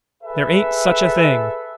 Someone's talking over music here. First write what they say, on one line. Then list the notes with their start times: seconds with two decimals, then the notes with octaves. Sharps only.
"There ain't such a thing!"
0.23 G#4 A4 B4 E5